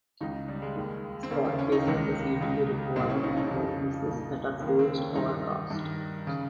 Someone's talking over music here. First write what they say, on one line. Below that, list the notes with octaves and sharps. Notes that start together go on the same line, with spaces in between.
Spotfacing is usually required on workpieces that are forged or cast.
C#2 C#3 D#4
G3
G#3
D#2 D#3
C4
D#2 C#3 A#3
C4
C#4
D#4
C#2 C3 D#3
C#2 C#3
C2 A#2 C4
C#4
D#4
D#4
F2 C#3
C2 A#2
D#2 D#3
A#3
C4
C#4
G2 D#3 D#4
G2 D#3
C#3